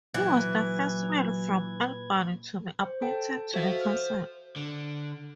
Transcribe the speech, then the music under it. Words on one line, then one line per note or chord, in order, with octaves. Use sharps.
He was the first man from Albany to be appointed to the council.
A#2 E3 F#3 B4 G#6
C5
A4 G5 A5
F#4 A4 C5 E5 F5
F6
D3